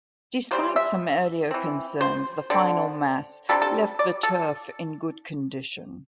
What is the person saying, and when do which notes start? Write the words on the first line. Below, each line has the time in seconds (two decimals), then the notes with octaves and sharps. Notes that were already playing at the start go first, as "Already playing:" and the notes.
Despite some earlier concerns the final mass left the turf in good condition.
0.51 E3 G3 C4 C5
0.76 E5
1.51 E3 C4
2.01 C5
2.50 D3 C4
3.49 C3 G3 D4 A4
3.62 A4
3.99 D5
4.23 A4